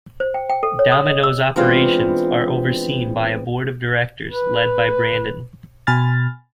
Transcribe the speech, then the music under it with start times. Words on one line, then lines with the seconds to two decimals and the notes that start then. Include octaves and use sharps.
Domino's operations are overseen by a board of directors led by Brandon.
0.20 C5
0.34 G5
0.50 G5
0.63 A4
0.79 C#5
0.92 D#6
1.07 D#5
1.23 E6
1.56 E3 G#3 B3 C4 D4 F4
4.29 B4
5.87 B2 G#5 B5 F6 A6